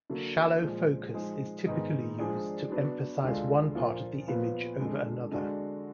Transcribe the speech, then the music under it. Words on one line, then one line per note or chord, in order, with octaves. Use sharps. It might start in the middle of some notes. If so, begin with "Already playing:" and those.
Shallow focus is typically used to emphasize one part of the image over another.
D3 F#3 A#3
A#2 F3 G#3
F3 G#3 D#4 G#4
G#2 D#3 G#3 B3 D#4
F3 G#3 D4 G#4 D5
F#3 B3 D4
D2 D3 G#3 D4 F4
A#2 F3 A#3 F4
A#2 F3 B3 F4 B4
F2 D3 G#3
D3 G#3 D4 F#4